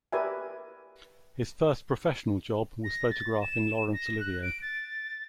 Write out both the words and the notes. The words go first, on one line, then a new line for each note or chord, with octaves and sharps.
His first professional job was photographing Laurence Olivier.
G4 A#4 B4 D5 E5 G#5
A#6
A6
E7
A#6
F#6
D7
A6